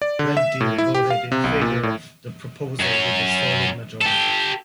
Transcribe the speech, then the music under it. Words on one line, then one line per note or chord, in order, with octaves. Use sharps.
Red Deer voted in favour of the proposal with a solid majority.
D5
D3
E5
A2
E4
G4
F5
C3
B1
A#2
A2
F#2 C#4
G4 A4